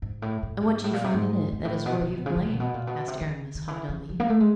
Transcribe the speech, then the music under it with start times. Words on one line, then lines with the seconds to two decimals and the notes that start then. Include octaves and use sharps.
"And what do you find in it that is worthy of blame?" asked Aramis, haughtily.
0.02 G#2
0.22 A2
0.43 A2
0.62 G#2
0.84 A2
0.93 A#2
1.04 C3
1.14 G#2
1.52 G#2
1.65 A2
1.86 B2
2.01 C#3
2.05 C3
2.16 B2
2.26 C#3
2.36 C3
2.46 B2
2.53 A#2
2.60 B2
2.74 A#2
2.87 B2
3.08 C3
3.21 D3
3.28 C#3
3.55 D#3
3.68 E3
3.89 E3
4.09 F3
4.20 A#3
4.30 A3
4.40 G#3